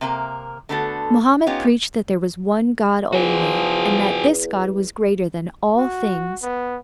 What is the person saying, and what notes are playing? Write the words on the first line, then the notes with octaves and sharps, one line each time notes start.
Mohammed preached that there was one God only, and that this God was greater than all things.
C3 A#3 A#4
D3 A3 B3 F#4 A4
B3 C#4 D#4 F4 G4
E2 F3 F#4 G#4
F#4
B3